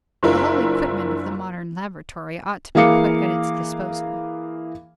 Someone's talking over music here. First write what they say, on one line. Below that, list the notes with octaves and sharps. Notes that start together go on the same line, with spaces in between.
The whole equipment of the modern laboratory ought to be put at its disposal.
F#1 D4 E4 F4 A#4
E3 A#3 G#4 F5 D6 C#7